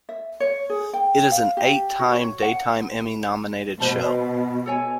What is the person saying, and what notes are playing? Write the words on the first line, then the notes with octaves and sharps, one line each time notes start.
It is an eight-time Daytime Emmy nominated show.
E5
C#5
G#4
G5
F5
G4
F#4
C#5
F#5
B2 B4 C5 A5
A4 C#5 G#5